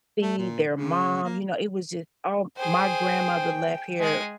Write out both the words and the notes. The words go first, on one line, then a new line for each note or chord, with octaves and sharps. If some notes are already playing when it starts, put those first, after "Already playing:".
see their mom, you know, it was just oh, my grandmother left here
A3
A#2
C#3
A#3
G#4 C5 G5
G#3 G#4